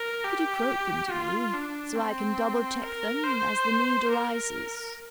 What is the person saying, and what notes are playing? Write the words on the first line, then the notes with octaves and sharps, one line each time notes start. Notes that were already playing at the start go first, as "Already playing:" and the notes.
"Could you quote them to me, so I can double-check them as the need arises?"
Already playing: A#4
G4
F4
D4
C4
A#4
C5
A#4